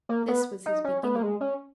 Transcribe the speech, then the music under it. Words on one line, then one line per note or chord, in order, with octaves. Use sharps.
This was his beginning.
A#3
B3
D#4
C#4
B3
A#3
G#3
C#4